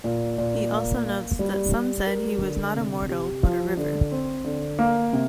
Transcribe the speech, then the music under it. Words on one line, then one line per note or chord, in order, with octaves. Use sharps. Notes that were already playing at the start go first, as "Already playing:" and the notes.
He also notes that some said he was not a mortal, but a river.
A#2
A#2
A#3
A#3
G3
G3
A#4
D3
C3
G4
F3
D3
C4
D3
A#3
C3